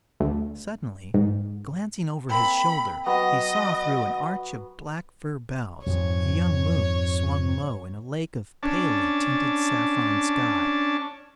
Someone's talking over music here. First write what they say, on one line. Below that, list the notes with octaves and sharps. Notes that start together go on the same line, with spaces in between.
Suddenly, glancing over his shoulder, he saw through an arch of black fir boughs a young moon swung low in a lake of palely tinted saffron sky.
D2
G#2
A#3 C4 B5
F#3 B3 D#5
F2 G#2 F3 C#5
C#4 D4 A5